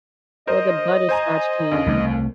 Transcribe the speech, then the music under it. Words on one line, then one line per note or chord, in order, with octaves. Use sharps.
Or the butterscotch candy.
A#4 C5 D#5
C5 G#5 A#5
D#2 C#3
C2 G3 A3